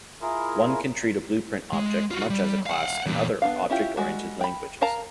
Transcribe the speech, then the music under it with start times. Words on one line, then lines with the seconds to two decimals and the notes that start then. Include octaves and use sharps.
One can treat a blueprint object much as a class in other object-oriented languages.
0.22 E4 F4 G#4 A#4
1.73 G#3
2.11 F4 F#4
2.30 G3
2.66 F5 F#5
3.06 E2 A#2
3.42 B3 D4 F5
3.70 C#4 E4 F4 G4
3.97 G3 G#3 F#4
4.41 G5 B5
4.81 A#4 F5 A5 A#5